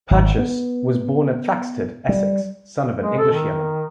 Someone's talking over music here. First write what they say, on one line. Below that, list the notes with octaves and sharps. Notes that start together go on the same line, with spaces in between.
Purchas was born at Thaxted, Essex, son of an English yeoman.
G#1
B3
G3
G#3
A4
D#3